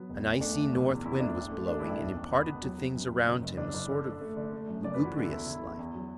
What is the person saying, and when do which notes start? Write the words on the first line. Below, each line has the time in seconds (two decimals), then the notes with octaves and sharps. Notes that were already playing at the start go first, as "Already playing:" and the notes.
An icy north wind was blowing, and imparted to things around him a sort of lugubrious life.
Already playing: F#3 B3
0.09 E1
0.25 D2
0.41 A3 D4
0.57 A3
0.73 F#1
0.89 E2
1.04 E2 E4
1.20 A3 D4
1.36 A1
1.52 A3
1.67 A3 D4
1.79 A1 E4
1.90 D4
1.99 E1
2.15 E2
2.31 E2 B3
2.47 E1
2.63 F#3
2.79 F#3
2.94 F#2
3.11 F#2
3.26 F#1
3.42 F#1
3.57 F#1 D4
3.73 F#1
3.89 D3
4.05 D3
4.21 A3
4.37 D3
4.52 A3
4.68 F#2
4.84 F#1 D5
4.94 B4
5.00 E3
5.05 F#4
5.16 D3 E4
5.32 E2 E4
5.47 D3 E4
5.63 E2
5.79 E2
5.95 F#3